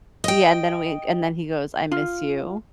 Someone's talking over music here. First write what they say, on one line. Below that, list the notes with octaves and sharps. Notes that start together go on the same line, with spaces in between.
yeah, and then we and then he goes, "I miss you,
D#5 G5
F4